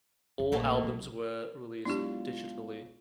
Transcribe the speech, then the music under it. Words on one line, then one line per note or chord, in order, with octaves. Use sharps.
All albums were released digitally.
F2
A#1 A3 A#3 A4
B1 C3
B1 G#3 D4 E4 F4 G4 D5 C#6